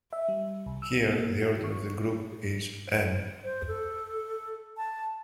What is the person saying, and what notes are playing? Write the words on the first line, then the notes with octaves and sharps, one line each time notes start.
Here the order of the group is "n"!
E5
G3
C2
E6
A#3
F#4
C#6
C5
A4
A5